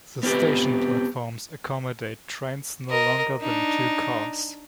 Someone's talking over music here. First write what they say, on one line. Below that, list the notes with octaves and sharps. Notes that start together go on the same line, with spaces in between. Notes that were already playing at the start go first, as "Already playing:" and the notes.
The station platforms accommodate trains no longer than two cars.
B3 C4 F4 G4 B4
A#4 D#5
D4 D#4